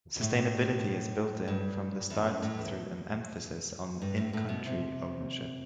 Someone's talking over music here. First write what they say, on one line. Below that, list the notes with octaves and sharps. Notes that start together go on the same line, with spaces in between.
Sustainability is built in from the start through an emphasis on in-country "ownership".
A2
G2
E2
F#2
A2
E2
G2
A2
A2
B2
C3